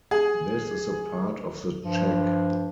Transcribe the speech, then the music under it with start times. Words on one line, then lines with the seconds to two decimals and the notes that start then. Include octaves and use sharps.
This is a part of the check.
0.11 G#4
1.83 G2 F3